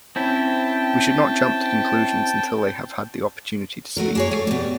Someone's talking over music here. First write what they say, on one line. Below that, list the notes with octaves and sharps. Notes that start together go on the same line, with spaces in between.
We should not jump to conclusions until they have had the opportunity to speak.
C4 C#4 E4 G5 A5
A3 F#4 A#4
A#3 G#4 C#5
A3
B2 G3